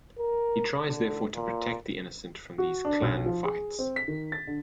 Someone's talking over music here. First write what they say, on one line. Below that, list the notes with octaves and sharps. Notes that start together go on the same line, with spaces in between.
He tries therefore to protect the innocent from these clan fights.
A#4
D3
A#2
F#4
D4
B1
F3
G#4
C4
B6
D#3
A6
D3